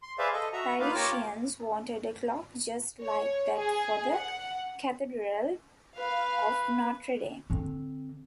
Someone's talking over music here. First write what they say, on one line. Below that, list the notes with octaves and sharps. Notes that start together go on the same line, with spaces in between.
Parisians wanted a clock just like that for the Cathedral of Notre Dame.
C6
G#4 B4 C5 D5 E5 F5
A4 D#5
F#4 E5 A#5
A#3 D#4 F4 B4 F5
F4 G4 A#4 C#5 D6
C#5
G#4
F#5
B4 F5
D3 C4